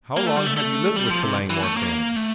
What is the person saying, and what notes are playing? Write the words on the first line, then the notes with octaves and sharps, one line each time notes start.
"How long have you lived with the Langmore family?"
A#3
A3
G3
A3
A3
G3
F3
C3
E3
A3
A#3
A3